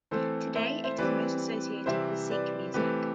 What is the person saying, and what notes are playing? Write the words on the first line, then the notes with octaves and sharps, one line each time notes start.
Today it is most associated with Sikh music.
E3 A3 C4 A4 C5
C5 E5
C5 E5
E3 G3 C4 B4 D5
C3 E3 G3 C4 C5 E5
B4 D5
E3 A3 C4 G4 B4